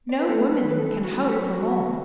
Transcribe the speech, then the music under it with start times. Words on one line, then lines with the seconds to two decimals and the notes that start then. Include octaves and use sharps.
No woman can hope for more.
0.09 D5
0.19 B4
0.29 F#3 A4
0.47 A2
0.54 B4
0.61 D5
0.66 F#3 B4
0.78 A4
0.85 A2
1.04 F#3 F#4
1.23 A2
1.29 A4
1.41 F#3
1.54 F#4
1.60 A2
1.78 E2